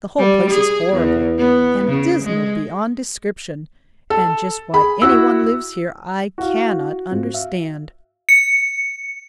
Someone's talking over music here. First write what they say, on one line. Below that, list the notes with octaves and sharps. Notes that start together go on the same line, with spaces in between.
The whole place is horrible, and dismal beyond description, and just why anyone lives here I cannot understand.
G3
G#4
E2
B3
C#3
G#3
A4
G#4 B5
E4 F#4 F#5 E6
E4 F#4 F5
G#2 C4 F4
E5 F5
C#7